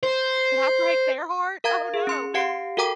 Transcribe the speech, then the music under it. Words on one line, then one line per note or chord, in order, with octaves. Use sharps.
"Did I break their hearts? Oh, no."
C5
A#4 F5 A#5 G#6
G#4
C#4 C6 C#7
G4 F5 F#5 C7 D7
F#4 A4 A#4 G5 A#5 D6